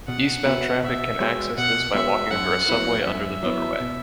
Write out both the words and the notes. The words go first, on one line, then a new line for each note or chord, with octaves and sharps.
Eastbound traffic can access this by walking under a subway under the motorway.
B2 F#5
B3 F#4 B4 E5
B2 E5
G#3 B3 F#4 C#5
B2 F#5
G#3 B3 F#4 C#5 E5
F#2 F#5
F#3 B3 E4
F#2 E5
F#3 B3 E4
B2